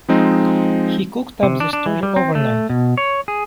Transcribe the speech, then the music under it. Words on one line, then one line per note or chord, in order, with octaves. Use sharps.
He cooked up the story overnight.
F3 G#3 C4 D#4
C3
D4
D4
E3
G3
C4
A3
B2
C#5
G#4